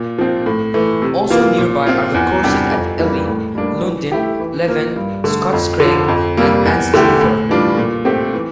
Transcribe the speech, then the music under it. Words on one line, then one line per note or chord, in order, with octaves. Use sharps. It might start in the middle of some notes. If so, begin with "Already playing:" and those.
Also nearby are the courses at Elie, Lundin, Leven, Scotscraig and Anstruther.
Already playing: A#2
F3 C4
A2
E3 A3
C3
E3 A#3 F4
A#2
F3 C4 F4
E2
C3 G3 D4 G4
F2
E3 G3 A#3
A2
G3 A#3 D4
E3
A3 E4 G4
E3
A#3 F4
G2
D3 A3
F2
D3
F3
F2
C3 G3 A#3
E2
D3 A3 E4 G4
A2
E3 G3 D4 F4
A#2
A3 C4 G4
E3